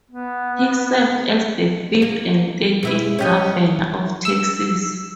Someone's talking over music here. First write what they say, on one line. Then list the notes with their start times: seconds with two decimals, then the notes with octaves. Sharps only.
He served as the fifth and thirteenth governor of Texas.
0.11 B3
2.02 A#3
2.83 B2 E4 B4
3.19 C#4 G4 D#5
4.25 E6